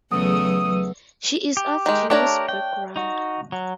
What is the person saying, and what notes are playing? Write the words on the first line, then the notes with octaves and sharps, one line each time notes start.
She is of Jewish background.
E2 C#3 F#3 A3 B4 D#6 E6
G4
D#3 G#3
A3 D4 G4 A#4 C#5
G5
D#4 F#4
F#3